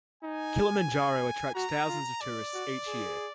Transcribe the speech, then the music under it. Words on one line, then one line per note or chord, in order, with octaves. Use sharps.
Kilimanjaro attracts thousands of tourists each year.
D#4 G#5
F#4 A#5
F4
D5
F#4
G#4